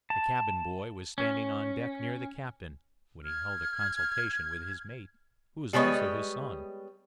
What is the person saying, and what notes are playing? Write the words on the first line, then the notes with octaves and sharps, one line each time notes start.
The cabin boy was standing on deck near the captain, when he held a consultation with his mate, who was also his son.
A5
C#4
F6 G#6
G3 G#3 B3 C5 C#5 D#5